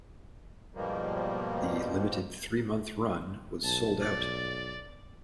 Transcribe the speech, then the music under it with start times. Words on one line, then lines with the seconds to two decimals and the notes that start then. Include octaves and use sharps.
The limited, three-month run was sold out.
0.75 G#2 B2 F3 G3 A#3
3.64 B1 A5
4.01 D5 A6